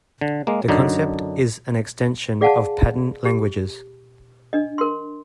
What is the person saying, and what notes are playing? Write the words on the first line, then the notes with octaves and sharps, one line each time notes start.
The concept is an extension of pattern languages.
D3
G#3 A#3
F#2 D3 D4 D#4
G#4 D5 F5 F#5 G#5 A5
G4
D4 D#5
A#4 C6